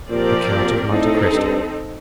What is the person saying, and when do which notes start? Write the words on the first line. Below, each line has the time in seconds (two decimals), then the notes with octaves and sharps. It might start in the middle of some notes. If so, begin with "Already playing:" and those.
"The Count of Monte Cristo."
0.10 A#2 F3 C4 G4 A#4 D5
0.51 A#2
0.90 A2 C4 D#4 A4
1.31 G2